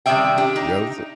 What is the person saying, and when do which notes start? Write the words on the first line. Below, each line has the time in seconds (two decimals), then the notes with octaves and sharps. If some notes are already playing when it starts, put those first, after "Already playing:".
Yeah, that was a
0.06 C3 D#3 G3 D5 E5 G5
0.38 D4 G4
0.56 D#4